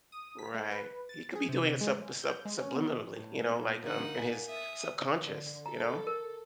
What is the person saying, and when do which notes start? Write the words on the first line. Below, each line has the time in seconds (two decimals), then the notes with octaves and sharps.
Right. He could be doing it sub sub subliminally, you know, like, um, in his subconscious, you know?
0.12 D#6
0.39 B6
0.54 A3
0.71 B4
1.09 A6
1.35 G#4
1.49 C3
1.81 G#3
2.22 G6
2.45 G#3
2.60 C#4
2.75 B3
3.16 A2
3.50 A#2 B3
3.83 D2 A#3 D#4 F#5
4.15 G#5 B6
4.48 E5 D#6
5.19 D3
5.66 A4 A#5
6.07 A#4